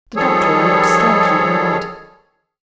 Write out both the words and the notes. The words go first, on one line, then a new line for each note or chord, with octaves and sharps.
The doctor looked slightly annoyed.
D#3 F3 G3 G#4 A4 C#5